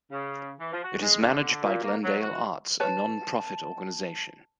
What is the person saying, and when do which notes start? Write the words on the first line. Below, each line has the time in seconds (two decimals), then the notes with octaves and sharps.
It is managed by Glendale Arts, a non-profit organization.
0.12 C#3
0.60 E3
0.73 F3
0.84 F#4
1.02 G#3
1.22 D3
1.64 A#2
1.84 A#3
2.04 F#3
2.21 F#4
2.80 B4 C#5 A5